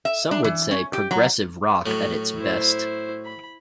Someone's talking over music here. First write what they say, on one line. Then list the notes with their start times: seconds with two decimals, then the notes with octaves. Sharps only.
Some would say: "Progressive Rock at its best".
0.05 E5
0.31 D4
0.44 E3
0.71 C#4
0.93 G4
1.11 F#3
1.86 A2 F#3
2.36 E4 C5
3.25 B5